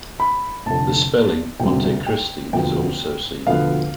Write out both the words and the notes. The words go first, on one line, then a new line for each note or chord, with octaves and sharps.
The spelling Montecristi is also seen.
B5
F1 F2 D3 A5
E1 D2 C3 G3 G5
G5
E1 D2 D3 F3 B3 G5
E1 D2 D3 F3 B3 F5